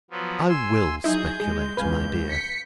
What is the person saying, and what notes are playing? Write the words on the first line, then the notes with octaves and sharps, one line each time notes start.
I WILL speculate, my dear.'
F3 F#3 B3
G#5 C6 E6
F#3 D#4 E4 G#4 G6
G#3 G#4
C#2 B4 F5 G#5
B6 C#7